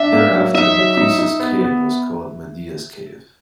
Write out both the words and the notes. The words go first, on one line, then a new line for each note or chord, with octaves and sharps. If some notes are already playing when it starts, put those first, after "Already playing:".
Thereafter Macris's cave was called "Medea's Cave".
Already playing: D4 E5
A#3
F#3
D#4 E5
F#3
D#4
D#4
B3
B3